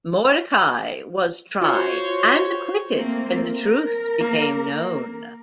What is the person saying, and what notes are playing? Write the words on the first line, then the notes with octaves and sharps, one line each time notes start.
Mordechai was tried, and acquitted when the truth became known.
F4 F#4 C5 C#5
A3 A#3 C4
A#4
A#3